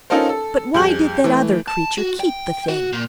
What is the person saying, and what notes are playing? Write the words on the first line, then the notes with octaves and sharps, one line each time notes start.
But why did that other creature keep the thing?
C#4 D#4 F4 A4 A#4 C5
A4
F2 G3 G#4 G6 F#7
E3 A3
A5
F#4
G5
F#4
A#2